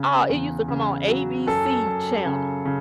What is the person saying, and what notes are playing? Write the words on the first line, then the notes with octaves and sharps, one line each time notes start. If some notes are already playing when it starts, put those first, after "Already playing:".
uh, it used to come on ABC channel,
Already playing: C#3
E2
C#3
F#3
F#2 A4
F#2
C#3
C#3